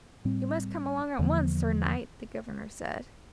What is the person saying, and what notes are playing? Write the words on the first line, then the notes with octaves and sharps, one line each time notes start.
"You must come along at once, sir knight," the governor said.
A2 G3 C4
E2 D3 F3 A#3